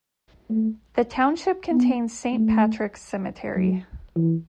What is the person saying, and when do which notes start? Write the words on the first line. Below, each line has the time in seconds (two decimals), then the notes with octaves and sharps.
The township contains Saint Patrick's Cemetery.
0.50 A3
1.72 B3
2.34 A3
3.56 F#3
4.16 E3